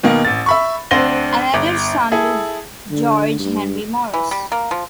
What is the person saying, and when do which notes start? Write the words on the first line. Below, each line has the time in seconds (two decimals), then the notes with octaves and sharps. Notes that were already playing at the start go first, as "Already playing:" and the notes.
Another son was George Henry Morris.
0.03 B2 D#3 A#3
0.25 A1 A6
0.46 E5 B5 C#6
0.91 D2 C4 D4 C6 A#6 G7
1.54 G1
2.12 E4 G#4 A4
2.91 D3
3.39 G2
4.13 E3
4.31 G3
4.52 A#3
4.71 F3